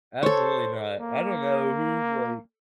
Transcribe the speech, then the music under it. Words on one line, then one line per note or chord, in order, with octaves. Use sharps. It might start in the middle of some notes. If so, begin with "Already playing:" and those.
Absolutely not. I don't know who, like
A4 C5 C#5
A#3